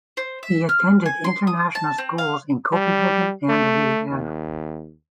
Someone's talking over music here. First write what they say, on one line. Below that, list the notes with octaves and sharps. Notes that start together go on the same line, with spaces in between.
He attended International Schools in Copenhagen and Vienna.
C5
E5
F6
G#5
C6
D#6
A5
C4
F5
G3
A3
D#2